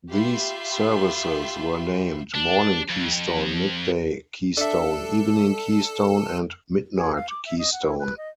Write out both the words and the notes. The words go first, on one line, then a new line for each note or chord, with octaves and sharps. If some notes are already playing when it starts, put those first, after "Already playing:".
These services were named "Morning Keystone", "Midday Keystone", "Evening Keystone", and "Midnight Keystone".
F4 G4 E5 B5 C6
D4
F2
D4 A4 E5
G#4
F5
D6
E5
D#5
F#5
E4
B4
D#5